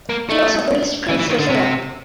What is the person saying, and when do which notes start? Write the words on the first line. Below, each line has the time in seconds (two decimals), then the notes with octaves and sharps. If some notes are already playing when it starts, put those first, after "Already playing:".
He also produced prints for sale.
0.09 A#3
0.29 A3
1.09 E3
1.19 E3
1.30 D#3
1.39 D3
1.49 C3